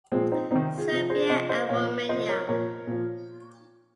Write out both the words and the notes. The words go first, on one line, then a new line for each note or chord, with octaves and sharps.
Serbia and Romania.
A#2 F3 G#3 C4
C4 D#4
C3 D#3 C4 D#4
F4 G#4
C3 F3
G#4 C5
C3 F3 C5 D#5
C5 D#5
A#2 F3 C#5 F5
C3 F3 C5 D#5
A#4 C#5
A#2 F3 A#4 C#5
A#2 F3